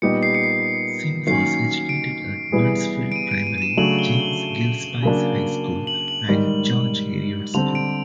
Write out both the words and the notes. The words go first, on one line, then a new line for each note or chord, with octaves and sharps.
Sim was educated at Bruntsfield Primary, James Gillespie's High School and George Heriot's School.
A#2 G3 B3 D#4 G4 C#7
C7
C#7
C7
D#3 F#3 A#3 C#4 C7
D7
E3 G3 B3 E4 G#4
D7
D#7
D7
D#7
D#7
E7
C#3 F#3 A3 D4 F#7
G7
G7
F#7
C#3 F#3 A#3 D4
F#7
F#7
G#2 D#3 G3
D3 G3 C4 F7
D7